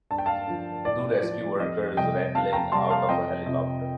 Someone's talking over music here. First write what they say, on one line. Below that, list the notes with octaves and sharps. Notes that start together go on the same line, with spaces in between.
Two rescue workers rappelling out of a helicopter.
G2 A5
G5
F5 A5
D3 F3
A2 D5
F3
F2 D#5
C3 G3 D#5 G5
F2 F5 A5
G5 A#5
C3 G3 A5 C6
F5 A5
F2 D#5 G5
C3 F3 D#5